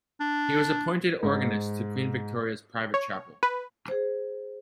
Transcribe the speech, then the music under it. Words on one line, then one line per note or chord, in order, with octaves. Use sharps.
He was appointed organist to Queen Victoria's private chapel.
D4
G#2
C#5
B4
G#4 C5